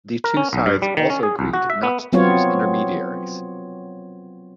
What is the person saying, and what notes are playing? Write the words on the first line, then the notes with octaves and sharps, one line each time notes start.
The two sides also agreed not to use intermediaries.
A#4
C#4
B1
G2
G3
D#3
C#4
G#4
C2
F#4
E5
B3
F#3 B3 C4 F4 C#5